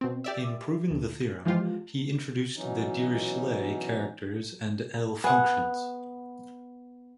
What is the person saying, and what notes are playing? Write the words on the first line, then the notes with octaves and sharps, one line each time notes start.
In proving the theorem, he introduced the Dirichlet characters and L-functions.
B2 C4
G4 D5 E5
D2
E3 F3 G#3 F4 G4
B2 E3 F#3 C#4 D#4
B3 G#4 F#5